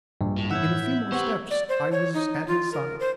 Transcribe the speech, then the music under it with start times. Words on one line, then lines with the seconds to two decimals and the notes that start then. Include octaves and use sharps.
In a few more steps I was at his side.
0.21 A#1 G2
0.38 A2
0.51 A2 E3 E5 F#5 E6 G6 G#6
1.12 B3 G4 C5 F#5 C#6
1.51 D5
1.69 C5
1.92 C#5
2.14 D#4
2.48 F4
2.73 A#4
3.00 C5